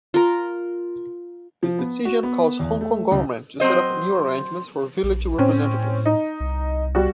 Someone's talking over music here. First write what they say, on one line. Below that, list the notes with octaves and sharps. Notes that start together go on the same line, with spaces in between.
This decision caused Hong Kong Government to set up new arrangements for Village Representative.
F4 A#4
F3
B3
F#4
B3
E2
A3
C#2
F#3 C4 C5 D#5
A#1
A2 C4 C#4
D#4
C2
G3 F#4